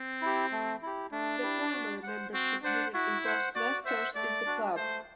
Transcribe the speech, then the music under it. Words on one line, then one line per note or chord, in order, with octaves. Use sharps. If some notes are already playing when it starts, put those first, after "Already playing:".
The primary membership unit in Toastmasters is the club.
Already playing: C4
E4 G4
A3
E4 G4
A3 D4
E4 G4
F#4
C5 F#5
C4 F#4
D4 C5 F#5
E4 F#4
C5 F#5
F#4 D5
C5 E5 F#5
A3 D5
D4 F#4
A3 C5